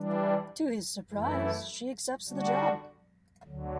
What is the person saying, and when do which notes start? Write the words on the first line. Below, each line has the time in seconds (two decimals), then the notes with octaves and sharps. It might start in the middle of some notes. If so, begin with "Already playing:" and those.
To his surprise, she accepts the job.
Already playing: E3 G3 D4
1.10 F#2 E3 A3 E4
2.28 D3 G3 D4 F#4
3.45 D2 D3 F#3